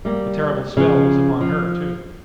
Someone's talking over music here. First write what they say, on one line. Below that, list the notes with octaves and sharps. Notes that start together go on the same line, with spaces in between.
The terrible spell was upon her, too.
G3 A#3
C#3 F3
F3